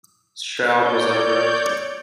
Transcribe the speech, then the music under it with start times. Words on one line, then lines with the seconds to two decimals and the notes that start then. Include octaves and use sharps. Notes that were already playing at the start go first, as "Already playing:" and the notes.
Stroud was unhurt.
0.76 C#5 D5 G6